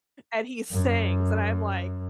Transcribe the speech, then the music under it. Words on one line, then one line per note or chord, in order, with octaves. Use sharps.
and he sings, and I'm like,
F#2